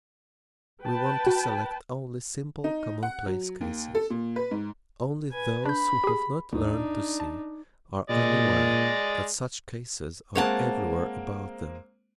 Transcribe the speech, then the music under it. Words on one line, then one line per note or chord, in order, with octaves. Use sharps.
We want to select only simple commonplace cases. Only those who have not learned to see are unaware that such cases are everywhere about them.
B4 G5 A5
F#4
D#4
F#5
F#3
D#2
A4
A#2
B4
G#2
B4 G#5
D4 B5 G6
G4 G#4
D#2 G#2 D4 D#4
A5
A#2 G#3 D5 D#5
G#3 A#3 C4 C#5 F#5 A5